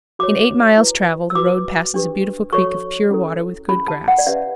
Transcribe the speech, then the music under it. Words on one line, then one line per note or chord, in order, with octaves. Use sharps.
In eight miles' travel the road passes a beautiful creek of pure water, with good grass.
F#4 C#5 D6
E4 B4
E6
F#4 B4 D6
D4 G4 B4
F#4 A4 C#5 C#6
C#4 E4 A4
C#4 E4 G4 B5
A5
F#5
D5
C#4 G4 B4 E5